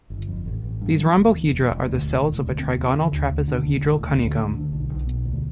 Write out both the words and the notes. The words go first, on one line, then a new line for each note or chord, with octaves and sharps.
These rhombohedra are the cells of a trigonal trapezohedral honeycomb.
G1
F2
A1
A1
G2
F3
F1
E2
E1
E1
D2
E1
E1
D2
C4
E2
D3
D2
D2
D3
E1
E1
D2
D2
D2
D3
B1
B1
B2
D2